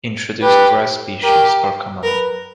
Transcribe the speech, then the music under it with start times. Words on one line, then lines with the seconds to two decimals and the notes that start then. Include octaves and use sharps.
Introduced grass species are common.
0.42 G4 B4
1.23 G4 A#4
2.04 A#4 B4